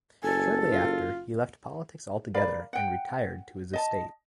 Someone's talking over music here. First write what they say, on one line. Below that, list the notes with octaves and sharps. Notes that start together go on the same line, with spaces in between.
Shortly after he left politics altogether and retired to his estate.
F#1 A4 G#5
F4
A#4 D5 F5 B5
F#5 G5
D#5 A5